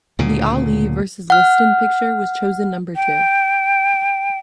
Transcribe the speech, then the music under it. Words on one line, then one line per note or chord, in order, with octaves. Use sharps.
The Ali versus Liston picture was chosen number two.
D2 A#2 C#3
F#5 F6
G5